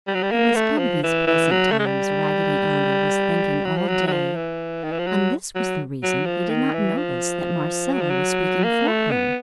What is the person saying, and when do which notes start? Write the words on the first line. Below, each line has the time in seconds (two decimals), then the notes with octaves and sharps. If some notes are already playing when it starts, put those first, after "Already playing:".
It was of these pleasant times Raggedy Andy was thinking all day, and this was the reason he did not notice that Marcella was speaking for him.
0.07 G3
0.14 F#3
0.23 G3
0.31 A#3
0.55 A3
0.78 F3
1.03 E3
1.27 E3
1.51 F#3
1.72 A3
1.79 G#3
1.86 G3
3.65 F#3
3.77 F3
3.88 F#3
4.08 F#3
4.12 F3
4.35 E3
4.84 D#3
4.92 E3
4.99 F3
5.07 F#3
5.55 F#3
6.03 F#3
6.26 F3
6.50 D#3
6.74 E3
6.97 F3
7.93 F#3
8.01 F3
8.10 F#3
8.64 A#3
8.87 A3
9.11 B3